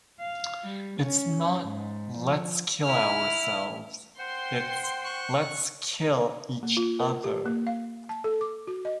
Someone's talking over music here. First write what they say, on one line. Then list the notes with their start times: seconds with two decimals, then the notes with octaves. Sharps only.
It's not 'Let's kill ourselves'; it's 'Let's kill each other'...
0.19 F5
0.63 G3
1.00 C#4
1.62 G#2
2.17 F3
2.83 E4 F6
4.18 C5 F#5 G5 C6
5.04 C#6 F#6
6.63 A#3
6.77 F4
7.00 A#4
7.24 G4
7.46 A#3
7.67 F5
8.09 A5
8.24 A4
8.41 D6
8.67 F#4
8.85 D#5